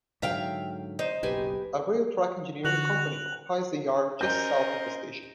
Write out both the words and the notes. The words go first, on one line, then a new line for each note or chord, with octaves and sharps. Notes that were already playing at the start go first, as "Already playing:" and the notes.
A rail track engineering company occupies the yard just south of the station.
G#2 D3 F#3 E5 F5 G5
D#4 C5
F#1 B1 G4 B4 G#5
D3 F#4 F#6 F7 F#7
C#4 A#4 C5 D#5 G6